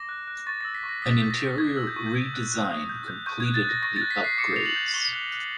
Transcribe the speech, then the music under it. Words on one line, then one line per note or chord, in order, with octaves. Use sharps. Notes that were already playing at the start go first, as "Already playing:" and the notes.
An interior redesign completed the upgrades.
Already playing: D6 A#6
F#6
F#6
C#6 A6
E6 A#6
B6
C#6
A#6
D#6 B6
G6
A#6
G6
C#6 G#6
E6
G6
C#6
G6
D#6 G#6
F#6
F#6
D#6
G6
G6
C#6 G6
G#6
F#6
A6
F#6 A#6
C#6 A#6
A6
F#6
B6
F#6 C7
D6 C#7
G6 F7
F#7
G6
C#6 G7
F#6
F#6